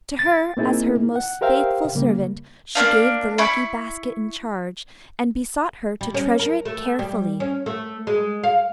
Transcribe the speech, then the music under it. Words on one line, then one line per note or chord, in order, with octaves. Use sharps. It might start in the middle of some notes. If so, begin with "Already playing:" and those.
To her, as her most faithful servant, she gave the lucky basket in charge, and besought her to treasure it carefully.
A6
A#3 C4 D#4 E4 G#4 A#4
F#5
G4 A#4 C5 E5 F5 G5
C#3 G3 A#3
A#3 C#4 D4 F5
E4 B5 C#6
G3
C#4
A#4
A3
G3
C#4
A3
G#3
F5